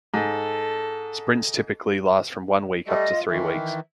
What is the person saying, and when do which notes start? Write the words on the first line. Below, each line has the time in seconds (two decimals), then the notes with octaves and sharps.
Sprints typically last from one week up to three weeks.
0.14 G#2 A4
2.85 G3 A3 D#5
3.12 F4
3.28 D#3 E3 E5